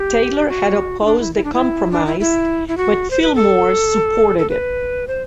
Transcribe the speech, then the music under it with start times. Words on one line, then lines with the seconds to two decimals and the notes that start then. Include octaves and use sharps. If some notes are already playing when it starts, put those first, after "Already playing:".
Taylor had opposed the Compromise, but Fillmore supported it.
Already playing: G4
0.49 F#4
1.00 E4
1.05 D4
1.20 E4
1.35 E4
1.44 D4
1.53 E4
1.91 D4
2.06 E4
2.20 E4
2.68 E4
2.77 F#4
3.10 C5
3.22 B4
3.35 A4
4.38 A4
4.50 B4
5.08 C5